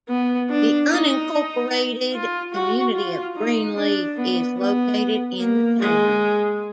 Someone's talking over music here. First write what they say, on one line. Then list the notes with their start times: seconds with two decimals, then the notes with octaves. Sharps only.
The unincorporated community of Greenleaf is located in the town.
0.09 B3
0.50 D4
0.90 D#4
2.13 F4
2.54 F#4
2.94 F4
3.36 D#4
3.76 D4
4.17 B3
4.58 B3
5.40 A#3
5.80 G#3